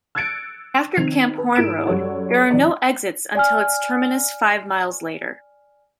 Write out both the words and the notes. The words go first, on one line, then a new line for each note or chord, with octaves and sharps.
After Camp Horne Road, there are no exits until its terminus five miles later.
E6 F#6 G#6 A6 C#7 D7
D#3 C4 G#6 F7
B4
G#2 E4 A#4 E6 D7 E7
F#2 G3 A4 C#5 D5 F#5
F2 D#3 D#4 D5
D5 G#5 F6